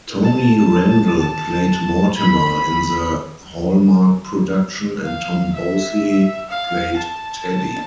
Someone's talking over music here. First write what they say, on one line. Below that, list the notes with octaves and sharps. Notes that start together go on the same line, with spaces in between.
Tony Randall played Mortimer in the Hallmark production and Tom Bosley played Teddy.
A5
A5
B5
F5
E5
F5
A5